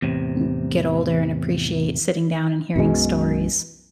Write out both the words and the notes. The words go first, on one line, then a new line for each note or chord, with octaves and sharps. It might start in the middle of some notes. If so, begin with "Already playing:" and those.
m get older and appreciate sitting down and hearing stories,
E2 A2 C3
B1 F#2 B2 G#3